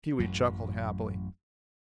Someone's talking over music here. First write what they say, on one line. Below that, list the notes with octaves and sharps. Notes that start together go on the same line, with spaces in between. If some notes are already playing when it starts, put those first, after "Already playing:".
Pewee chuckled happily.
A1 F#2 F#3